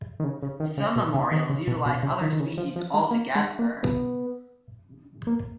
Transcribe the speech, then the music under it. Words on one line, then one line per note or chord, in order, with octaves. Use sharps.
Some memorials utilise other species altogether.
D#3
C#3
C#3
D#3
C#3
B2
C#3
D#3
C#3
B2
B2
C#3
D#3
D#3
C#3
F3
F3
G#3
A#3
G#3
A#3
B3
A#3